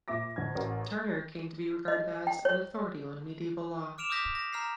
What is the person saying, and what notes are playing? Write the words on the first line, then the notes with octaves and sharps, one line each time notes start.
Turner came to be regarded as an "authority on medieval law".
A#2 E5 D6 A#6
D2 G#6
A1 F#4 A#4
D#5
G5
C#5
D6 F6 D7 E7 F7
D6 D#6 F6 G6 A#6 B6
A#6
A#5 F6 G6 C7